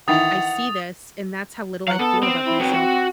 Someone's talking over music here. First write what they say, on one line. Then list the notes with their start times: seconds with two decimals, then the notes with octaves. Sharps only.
I see this," and that's how little I feel about myself
0.08 D#3 E3 F#5 D#6 A6 F7
1.88 F#3 F5 F#5
1.99 B3 A4
2.23 C4
2.46 E4
2.60 F#3 B3 C4
2.73 F#4